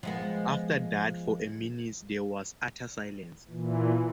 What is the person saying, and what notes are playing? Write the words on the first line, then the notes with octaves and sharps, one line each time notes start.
After that for a minute there was utter silence.
F3 G#3 B3
A#2 E3